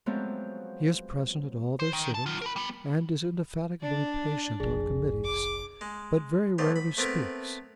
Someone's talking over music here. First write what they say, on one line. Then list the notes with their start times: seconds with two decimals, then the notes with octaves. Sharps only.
He is present at all their sittings, and is indefatigably patient on Committees,--but very rarely speaks.
0.06 F3 F#3 G#3 A3 B3 C4
1.80 C5
1.93 D#3
2.14 A5
2.26 F#3 F4
2.42 A#4 B5
2.56 G3 B3
3.81 D4 D5
4.60 F1 A#1 G#4
5.24 D6
5.81 G#3
6.58 B1 E2 A3 C5
6.76 B5
6.97 A3 B3 C4 E4 A4 A#4